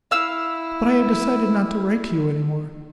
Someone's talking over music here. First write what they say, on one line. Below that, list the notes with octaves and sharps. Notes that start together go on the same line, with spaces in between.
But I had decided not to write to you any more.
E4 F5 E6